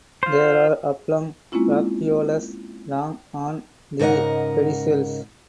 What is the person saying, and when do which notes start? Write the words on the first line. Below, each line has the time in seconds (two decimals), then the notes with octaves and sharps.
There are oblong bracteoles long on the pedicels.
0.23 F4 C5
1.52 G#3 A#3 C4 C#4 E4 F4
3.99 G#2 C#3 A#4 D#5 F#5